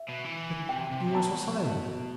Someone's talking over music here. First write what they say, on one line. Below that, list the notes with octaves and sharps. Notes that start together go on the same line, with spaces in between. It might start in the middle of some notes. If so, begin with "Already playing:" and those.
But you are so silent.
Already playing: E5
B2
E3
C3 G5
C3
C3
B2 A5